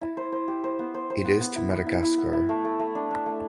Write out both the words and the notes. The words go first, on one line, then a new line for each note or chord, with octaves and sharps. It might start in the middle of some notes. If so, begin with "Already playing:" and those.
It is to Madagascar.
E4
C5
C5
G4
C5
B3
C5
C5
B3
B3
E4
E4
E4
E4
B3
E4
A3
A3
A3
D4
D4
A3